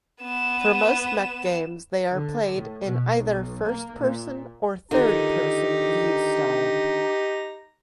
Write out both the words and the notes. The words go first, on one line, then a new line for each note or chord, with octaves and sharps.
For most mech games, they are played in either first-person or third-person view style.
B3 E7
D3
A2
B2
B1
A#3
A#2
D3 D#3 D#4 F4 G4 A#5